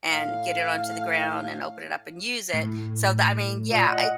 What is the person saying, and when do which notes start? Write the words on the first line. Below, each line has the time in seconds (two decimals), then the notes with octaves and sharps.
and get it onto the ground and open it up and use it, so tha I mean, yeah, it
0.10 A2 F5
2.53 A2
3.68 A#2
3.88 D#5 F#5